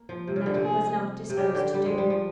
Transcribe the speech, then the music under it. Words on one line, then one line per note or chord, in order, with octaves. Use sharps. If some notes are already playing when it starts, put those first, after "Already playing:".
And that he was not disposed to do.
Already playing: A#3
F3
C3
C#3
D3
C3
G#4
C3
C#3 G4
D3
G3
G#3
G3
F3